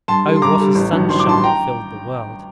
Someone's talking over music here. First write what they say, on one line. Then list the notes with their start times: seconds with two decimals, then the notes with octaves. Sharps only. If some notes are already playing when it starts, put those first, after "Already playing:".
Oh! what a sunshine filled the world!
0.08 G2 A5 C6
0.26 D3 G3
0.36 C6
0.42 G2 A#5 D6
0.59 D3 G3
0.75 A1
0.93 G2 D#3 F#3
1.09 A1 C6
1.20 D6
1.27 G2 D#3 F#3 A5 C6
1.37 C6
1.44 G5 A#5